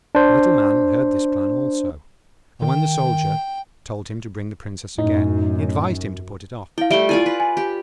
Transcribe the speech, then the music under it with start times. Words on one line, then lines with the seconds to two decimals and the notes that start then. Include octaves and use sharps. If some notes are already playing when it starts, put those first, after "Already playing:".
The Little Man heard this plan also; and when the Soldier told him to bring the Princess again, he advised him to put it off.
0.15 D4 C5
2.62 D#3 G5
4.98 F#2 A2 D#4
6.78 E4 F5 G5
6.91 G3 A3 E5 D7 G7
7.09 E4 F4 D5 G#5
7.26 B4
7.40 G#5
7.57 G4